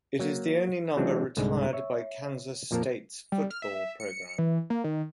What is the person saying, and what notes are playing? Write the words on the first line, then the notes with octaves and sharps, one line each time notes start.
It is the only number retired by Kansas State's football program.
F#3 A#3
E3 F#3 G#3 C4 D4 F4
C2 G#2 D3 G#3
C#5 E5
F2 A#2 F3 A#3 A#4 A5
G3
F6
E5
C#7
E3
A#3
D#3